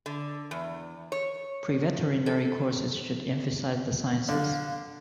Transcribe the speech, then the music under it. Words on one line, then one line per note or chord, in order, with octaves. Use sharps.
Preveterinary courses should emphasize the sciences.
D3
E2
C#5
A4
D3 F5